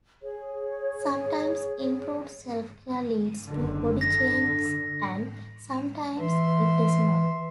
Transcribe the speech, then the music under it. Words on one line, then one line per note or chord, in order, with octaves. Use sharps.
Sometimes improved self-care leads to body changes and sometimes it does not.
G#4 C#5
F#1 D3 D#3
D3 A#6
E3 E5 C6